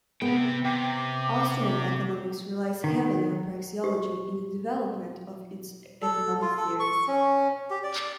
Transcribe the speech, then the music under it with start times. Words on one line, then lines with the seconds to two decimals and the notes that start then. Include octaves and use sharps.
Austrian economics relies heavily on praxeology in the development of its economic theories.
0.22 C3 B3 G5
0.65 C3 G5 D6
2.84 D#3
3.84 G4
6.02 A4
6.42 F4
6.57 A4
6.80 C#6
7.08 C#4
7.70 G4
7.83 D5